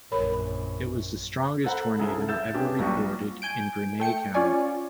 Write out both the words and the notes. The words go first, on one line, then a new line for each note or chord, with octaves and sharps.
It was the strongest tornado ever recorded in Greene County.
A#1 F#2 A#4 C#5 B5
A4 C5 F#5 A#5 B5
C2 C#3 E4 G#4 A4
E5 E6 G6 A6 E7
B3 C#4 D4 G4 G#4
A#1 F#3 G3 G5 C#6
G#5 G6 D7
A3 G5 C#7
C#4 F4 C#5 D5 G#5